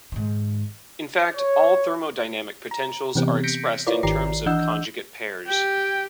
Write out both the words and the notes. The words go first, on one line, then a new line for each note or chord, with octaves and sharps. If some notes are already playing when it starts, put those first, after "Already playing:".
In fact, all thermodynamic potentials are expressed in terms of conjugate pairs.
G#2 D#3
C#5
A#5
C3 E3 B3 C4 G4
G6 A#6 B6 C#7 D7
E4 F4 A#4 B4 C#5 D5
G#1 D#3 G4 D5 A#5 C7
E3 D4 D#5 F#5 E6 G6
G4 G5